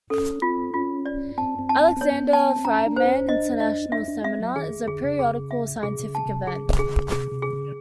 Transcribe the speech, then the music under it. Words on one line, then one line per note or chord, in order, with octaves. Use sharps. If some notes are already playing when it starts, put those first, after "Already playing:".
Alexander Friedmann International Seminar is a periodical scientific event.
C#4 A4
C4 F4
C#4 F4
D5
C4 A5
C4
A5
C4
C4
B3 C#5
A5
C4
C#4 A#5
D4
C5
C#4
D4 D#5
D#5
D4 E5
D4
C4 E5
F#3
D#3 G#4
D3 G#4
C#3
G#4
E5
C3 G#4
C3
C#3
A5
C3
C#3 G#4
C3
G#4
C#3
C3 G#4
C3
G#4
C#3